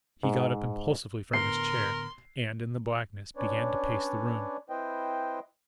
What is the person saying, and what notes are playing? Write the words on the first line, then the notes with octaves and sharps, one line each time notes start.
He got up impulsively from his chair, and, in the blackness, began to pace the room.
G#2
A2 D3 B3 A#4 C6 C7
C#4 D4 B4 C#5 D5
C4 E4 B4 C5 D#5 G5